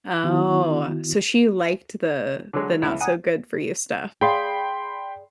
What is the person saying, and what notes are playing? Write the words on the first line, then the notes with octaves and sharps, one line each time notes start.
Oh, so she liked the the not-so-good-for-you stuff.
D#3 B3 E4 F#4
D3 F#3 G#3
C#2 E4
F#5 G#5 A#5 D#6
G#4 D5 F5 G5 B5 C6